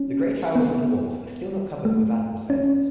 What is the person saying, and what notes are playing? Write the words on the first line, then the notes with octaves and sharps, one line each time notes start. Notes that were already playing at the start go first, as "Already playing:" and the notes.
The grey tiles on the walls are still not covered with advertisements.
Already playing: C#4
B3
A3
C#4